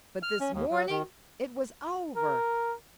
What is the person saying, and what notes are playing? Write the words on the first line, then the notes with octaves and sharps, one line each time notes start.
But this morning it was over.
F6
C#4
D#2
F#3
D#3
A#4